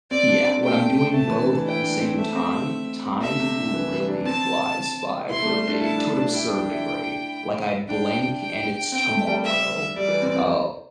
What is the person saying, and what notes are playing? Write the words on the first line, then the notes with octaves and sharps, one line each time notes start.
Yeah, when I'm doing both at the same time, time really flies by for me to an absurd degree, like, I blink and it's tomorrow, uh,
C4 D5
D4
C4
A3 G5
A3 A5
E3
D3
E3
E4 G5
D4
C4
A3 E5
C4
C4
A3 E5
C3
D3
E3
D4
C4 A5
E4 C6
A3
G3
A3
D4
E4 A5
D4
D4
E4 G5
D4
D4
E4
D4 G5
G5
C4 G5
A3
G3
E5
G3 D5
E3
C4
C4